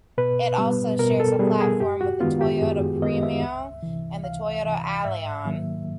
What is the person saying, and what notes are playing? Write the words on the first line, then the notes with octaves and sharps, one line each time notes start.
It also shares a platform with the Toyota Premio and the Toyota Allion.
B2 B4
G3 B3
B2 A#4
A4
G3 B3 G#4
G#4
F#2 G4
F#4
D#3 G#3 B3 F4
G4
F#2 G#4
D#3 G#3 B3 D#5
E5
C#2
C3 E3
C#2 F5
C3 E3
G#2 E5
D#3 F#3 A#3